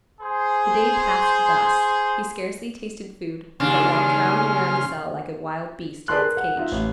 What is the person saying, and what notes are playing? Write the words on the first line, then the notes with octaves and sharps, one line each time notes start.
The day passed thus; he scarcely tasted food, but walked round and round the cell like a wild beast in its cage.
G#4 C5
D#2 C#3 D4 G#5 C6 F6
G#4 B4 D5 A5 C6 F#6
A#4
F#5
D#4 F4 E5
A1